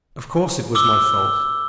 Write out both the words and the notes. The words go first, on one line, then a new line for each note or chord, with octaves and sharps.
Of course it was my fault.
D6 E6 G7